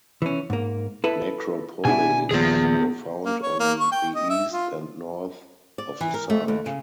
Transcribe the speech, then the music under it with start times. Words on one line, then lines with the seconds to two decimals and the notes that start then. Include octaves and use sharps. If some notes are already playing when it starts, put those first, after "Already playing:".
Necropoleis were found on the east and north of the site.
0.22 E3 C#4
0.50 G#2 A#3
1.04 E4 A4 B4
1.85 B2 D4 E4 G#5
2.31 D#2 A#2 F3 B3 G#4
3.25 A#3
3.42 C#5
3.60 A#3
3.80 C#6
3.92 G5
4.15 D#5
4.29 E5
4.52 F4
5.78 D5
6.01 E3
6.14 A#4
6.30 A3
6.48 D#2
6.66 C#3